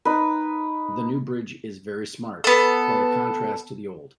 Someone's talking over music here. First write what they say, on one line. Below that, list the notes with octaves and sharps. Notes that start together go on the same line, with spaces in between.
The new bridge is very smart; quite a contrast to the old.
D#4 B4
B3 A4